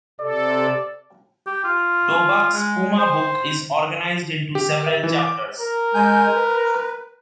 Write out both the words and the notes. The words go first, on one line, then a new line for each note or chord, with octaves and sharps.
Tobak's Puma book is organized into several chapters.
C3 A4 D5
G4
F4
G#3
C5
G4
E5
E3
D6
A#4
G#3 G#5 G6
B4